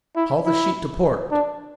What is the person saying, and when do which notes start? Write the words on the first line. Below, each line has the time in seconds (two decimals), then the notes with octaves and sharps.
"Haul the sheet to port!"
0.16 E4
0.45 E4
1.31 D4